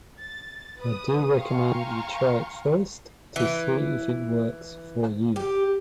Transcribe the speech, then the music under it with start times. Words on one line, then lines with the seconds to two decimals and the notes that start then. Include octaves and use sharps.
I do recommend you try it first to see if it works for you.
0.19 A6
0.79 B4 D#6
1.36 F5 G5 G#5 A#5 C6 C#6
3.36 E3
5.36 G4